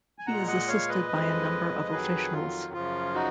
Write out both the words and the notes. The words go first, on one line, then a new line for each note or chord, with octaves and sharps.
He is assisted by a number of officials.
G#5
A#2 G#3 F#5 A#5
D#5 F#5
C#5 F5
B4 D#5
F2 F3 G#3
F2 D#3 F#3 G#4 B4
F4
F#2 C#3 F3 F4
D#4 F#4